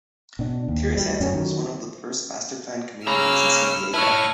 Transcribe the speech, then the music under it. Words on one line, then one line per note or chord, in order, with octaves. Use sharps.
Tierrasanta was one of the first master planned communities in San Diego.
B2 D4
D#2
D2 G3
F#2 C#4
D#3 F#3
C#3 F5 A#5 B5 E6 F6
E4 B4 C#5 A5 E6 F6